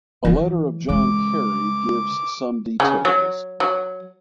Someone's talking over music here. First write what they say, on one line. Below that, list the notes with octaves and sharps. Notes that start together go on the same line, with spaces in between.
A letter of John Carey gives some details.
E3 F#3
C#3 G#3 D6
C#3
F#3
F#3